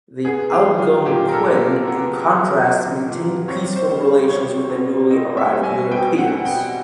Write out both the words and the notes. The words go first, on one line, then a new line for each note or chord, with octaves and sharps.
The Algonquin in contrast maintained peaceful relations with the newly arrived Europeans.
B3 G#4
G4
F#3
F4
A#2 G4
A#4
A4
A#2
B3
F#3
A#2
A#2
C4 C#5
C5
G3
B2 C#5
B2
C4 D#5
E5
G3
G#5
B2 G5
F#5
B2
G5